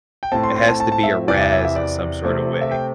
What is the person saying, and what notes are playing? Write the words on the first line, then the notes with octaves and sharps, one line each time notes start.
it has to be a razz in some sort of way.
G5
A2 A3 C4 A5
C6
C6
A5
A5
A5
E5
E2 C3 E3 D5
E5
E5
E5
D5
C3 A3 C4
E5
G5